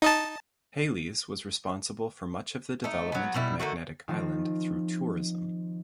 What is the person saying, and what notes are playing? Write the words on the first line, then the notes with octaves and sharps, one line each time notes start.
Hayles was responsible for much of the development of Magnetic Island through tourism.
D#4 D#5 A5
A3 D#4
F#3 B3
B2 G3 E4
D3 D#3 A3 F#4
D#3 F3 C4